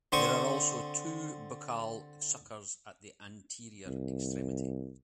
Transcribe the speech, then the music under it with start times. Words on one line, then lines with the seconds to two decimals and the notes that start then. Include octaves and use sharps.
There are also two buccal suckers at the anterior extremity.
0.12 D3 C4 C5 C#6 D#6
3.87 C2